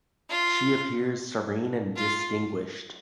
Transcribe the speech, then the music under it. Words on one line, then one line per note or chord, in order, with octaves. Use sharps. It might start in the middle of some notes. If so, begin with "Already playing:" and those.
She appears serene and distinguished.
F4
F4